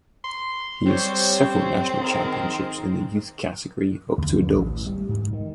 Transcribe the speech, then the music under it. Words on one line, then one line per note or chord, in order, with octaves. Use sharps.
He has several national championships in the youth category up to adults.
C6
G3 C4 C5 C#5
D#3 G#4 A#4
D2
G2
A1
G3
G#2
D#3